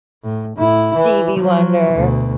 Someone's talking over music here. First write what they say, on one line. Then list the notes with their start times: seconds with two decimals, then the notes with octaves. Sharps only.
Stevie Wonder.
0.24 A2
0.56 A2 E4
0.96 E3
1.38 F3 F#3
1.93 D2 B2